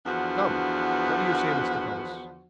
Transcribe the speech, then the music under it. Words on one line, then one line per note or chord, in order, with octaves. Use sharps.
"Come, what do you say, Mr. Thomas?"
E2 D3 F3 B3 D4 F#4